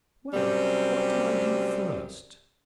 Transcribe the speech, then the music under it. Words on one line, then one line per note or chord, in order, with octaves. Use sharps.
"Well, what do I do first?"
F#2 C3 G3